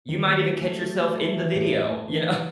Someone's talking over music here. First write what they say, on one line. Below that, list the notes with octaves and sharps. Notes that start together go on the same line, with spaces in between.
You might even catch yourself in the video, you
D#3
A3
F#3
A3
F#3
A3
E4
E3
A2
E4
A3
E3
D#4